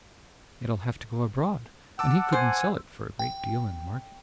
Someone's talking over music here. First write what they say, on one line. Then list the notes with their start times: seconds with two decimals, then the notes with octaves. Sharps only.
It'll have to go abroad, and he couldn't sell it for a great deal in the market.'
1.99 F#5 A5 D6 E6
2.32 C5 G#5
3.19 G5